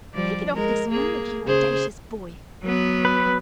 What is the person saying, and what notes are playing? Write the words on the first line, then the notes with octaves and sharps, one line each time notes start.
'Take it off this moment, you audacious boy!
F3 G3 D5
G#3 A#4
A#3 G#4
C#3 G#4 C5
F#3 B3
B4